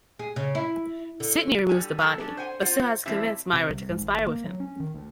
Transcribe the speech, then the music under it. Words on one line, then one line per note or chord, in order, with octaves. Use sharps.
Sidney removes the body but still has to convince Myra to conspire with him.
G#4
C#3
E4
D3
A2 D3 G3 G#5
F#3 A4 G#5
C#4 D4 A4
C5 F#5 G#5
F4 C5 F#5
E3 G3 A3 C4 E4
C3
C2
G#2
G#1
A#3
F#3
C#4
D#3
D2